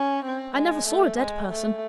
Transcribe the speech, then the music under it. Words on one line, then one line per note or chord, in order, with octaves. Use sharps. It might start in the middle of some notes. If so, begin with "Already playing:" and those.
'I never saw a dead person.
Already playing: C#4
C4
G#3
A3
G#3
A3